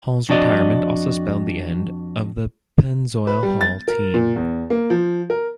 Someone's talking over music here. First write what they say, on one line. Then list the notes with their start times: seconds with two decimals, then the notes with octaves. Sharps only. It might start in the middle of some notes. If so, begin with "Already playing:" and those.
Hall's retirement also spelled the end of the Pennzoil Hall team.
0.29 F2 D4 F#4 D5 D#5
3.27 B4
3.43 G3
3.61 A6
3.88 A#4
4.14 A#2
4.36 E2
4.70 A#3
4.90 F3
5.30 A#4